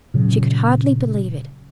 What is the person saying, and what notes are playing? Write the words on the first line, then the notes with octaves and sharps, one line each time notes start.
She could hardly believe it.
A#2 C#3 F#3